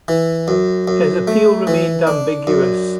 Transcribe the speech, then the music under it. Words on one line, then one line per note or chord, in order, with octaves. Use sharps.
His appeal remained ambiguous.
E3
F#2
F#2
A3
E3
D4
F#2